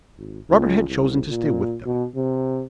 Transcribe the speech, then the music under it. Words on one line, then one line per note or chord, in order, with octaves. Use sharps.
Robert had chosen to stay with them.
G#1
C#2
C2
A#2
B2
C3